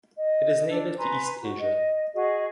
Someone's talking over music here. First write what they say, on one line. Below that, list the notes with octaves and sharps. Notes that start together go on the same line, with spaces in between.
It is native to East Asia.
D#5
D4 A4
B4 G#5 A#5 C6
F#4
D#5
F#4 G#4 D#5